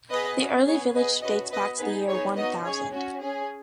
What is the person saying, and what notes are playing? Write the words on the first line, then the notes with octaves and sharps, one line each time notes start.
The early village dates back to the year One Thousand.
B3 G#4 B4 D#5
C#4 F#4
B3 G#4 C#5
B3 G#4 B4 D#5
C#4 F#4 B4 D#5
B3 F#4 B4 D#5
B3 D#4 G#4 B4
B3 D#4 G#4 C#5
B3 D#4 F#4 B4 D#5
C#4 G#4 C#5
C#4 F#4
C#4 G#4